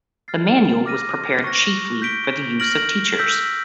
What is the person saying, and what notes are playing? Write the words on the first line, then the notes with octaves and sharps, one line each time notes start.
The manual was prepared chiefly for the use of teachers.
F6 A6 C7
D6 F6 A#6 D#7
C#6 F#6 A#6
G6 B6 D7 G7
F6 A#6 D7 F#7
E6 G6 B6